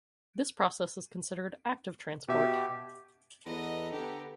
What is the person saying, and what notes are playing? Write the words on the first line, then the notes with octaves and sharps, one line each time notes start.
This process is considered active transport.
B2 G4 E5
E2 B3 A4 B4 D#5 A#5
D3 B3 G4